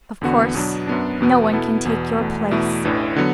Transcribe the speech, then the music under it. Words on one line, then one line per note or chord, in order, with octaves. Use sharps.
Of course, no one can take your place....
E2 D3 B3 F#4
B2 F#3 B3 D4
F#2 F#3 B3 D4
E2 B2 B3
B2 B3 E4 A4
E2 B2 B3
E2 B2 A3
E2 B2 A3 E4
A1 A2 E3 D4
D3 F#3 B3